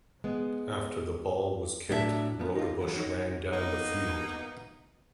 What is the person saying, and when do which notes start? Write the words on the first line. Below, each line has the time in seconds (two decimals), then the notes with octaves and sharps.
After the ball was kicked, Roudebush ran down the field.
0.24 G#3 B3
1.89 A2 F#3 D4 F4 E5 A5
2.40 F3 B3
2.55 D#4 F4
2.81 F2 E3 F#3
2.95 F#3 D#4 F#4 C#5
3.52 A#3 B3 D#4